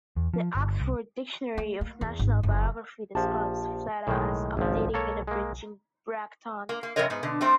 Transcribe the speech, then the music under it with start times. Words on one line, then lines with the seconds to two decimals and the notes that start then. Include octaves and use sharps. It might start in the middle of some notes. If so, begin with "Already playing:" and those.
The "Oxford Dictionary of National Biography" describes "Fleta" as "updating and abridging" Bracton.
0.16 E2
0.34 F3
0.55 G1
0.80 C2
1.58 A3
1.81 A#3
2.01 E2
2.19 G#1
2.43 F#1
3.15 A#1 F3 G4 A5
4.07 B1 A2 D#3 G#3
4.57 G#1 C#2 F3
4.94 A#3 A4 C#5
5.27 G#3 A#3
6.69 A#3
6.83 A#3
6.96 F#2 C3 E3 A#4 C#5 D#5
7.10 G#2 B3
7.23 B2 D3
7.41 G3 A3 C4 C5